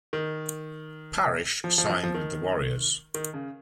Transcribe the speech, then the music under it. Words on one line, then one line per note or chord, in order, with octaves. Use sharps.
Parish signed with the Warriors.
D#3
F3
F3
F3
F3
D#3
D#3
C#3